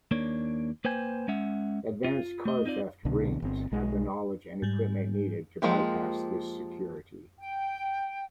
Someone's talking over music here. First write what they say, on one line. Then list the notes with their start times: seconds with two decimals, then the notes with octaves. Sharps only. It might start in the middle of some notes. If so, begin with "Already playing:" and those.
Advanced car theft "rings" have the knowledge and equipment needed to bypass this security.
0.11 D#2 A#3 D4 C#5
0.85 A#3 B4 C5 G5 G#5
1.28 G#3 C#4 E5 F#5
2.04 F4
2.45 A3 D#5
2.66 C4 D#4 F4 D5
3.05 C2 B2 D3
3.42 G1 C4
3.72 B1 G#3
4.62 G#2 G3
5.62 F3 G#3 A#3 G4
7.39 G5